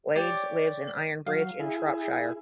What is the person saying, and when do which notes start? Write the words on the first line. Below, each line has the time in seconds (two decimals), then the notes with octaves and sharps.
Blades lives in Ironbridge in Shropshire.
0.15 G4 C#5 D5
1.26 F#3 F5
1.60 E4 G#4